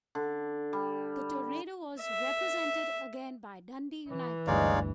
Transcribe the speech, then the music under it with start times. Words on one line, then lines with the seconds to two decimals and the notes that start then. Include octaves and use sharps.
The Tornado was represented again by Dundee United.
0.15 D3
0.73 G3
2.01 E5
4.09 E3
4.47 G1 D2 G2 G#3 D#4 C#5 D5 F5